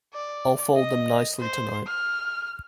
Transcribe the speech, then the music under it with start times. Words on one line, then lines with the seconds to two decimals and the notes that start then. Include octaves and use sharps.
I’ll fold them nicely tonight.
0.13 D5
0.75 D#5
1.40 C5
1.87 F6